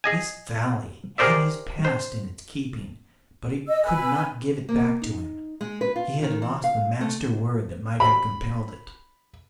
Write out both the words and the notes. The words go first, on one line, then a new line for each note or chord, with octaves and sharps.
This valley had his past in its keeping, but it could not give it back to him; he had lost the master word that might have compelled it.
G#4 D#5 G#5
G4 G#4 A#4 C5 D5 E5
C5
D#5 E6
B4 G#5 E6
A#3
D#4
G#3
B4
F4
D#3
E3
F5
A3
B5